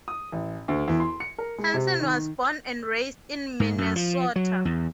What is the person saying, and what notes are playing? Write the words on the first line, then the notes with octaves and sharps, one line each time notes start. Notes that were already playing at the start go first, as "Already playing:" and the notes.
Hanson was born and raised in Minnesota.
D#6
A1
D2
E2
C6
C#7
A#4
G#3
C3
D#3
G#2
F#2
F3
F#3
E2